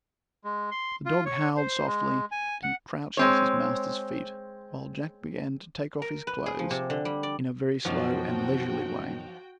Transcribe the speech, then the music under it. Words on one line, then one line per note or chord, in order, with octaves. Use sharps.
The dog howled softly and crouched at his master's feet, while Jack began to take off his clothes in a very slow and leisurely way.
G#3
C6
F4
C#5
C5
G#3
G#5
F#5
G#3 C4 C#5
A#4
B4
G#4
F3
C3
D3
G3
D5
F#2 B2 D#3 F3 F#3 F#4 G5